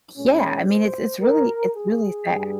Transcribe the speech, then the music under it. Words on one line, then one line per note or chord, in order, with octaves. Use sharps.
Yeah, I mean, it's it's really it's really sad.
A#2 G#3 C#4
C5
A#4
G#4
G2 G3